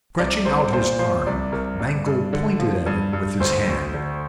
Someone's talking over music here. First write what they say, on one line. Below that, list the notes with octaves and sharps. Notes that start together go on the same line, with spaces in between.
Stretching out his arm, Mankell pointed at it with his hand.
C2 D5
C2 C5
A#2 C5
F3 C5
C2 D5
C2 A#4
G2 D5
G2
D3
F3
G2
G2
D2 C5
D2
D3